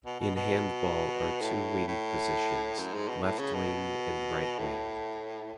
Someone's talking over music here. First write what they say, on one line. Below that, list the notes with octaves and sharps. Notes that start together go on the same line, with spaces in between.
In Handball are two wing positions: left wing and right wing.
B2
B2
B2
A2
A2
F#2
G#2
B2
A2
C#3
B2
A2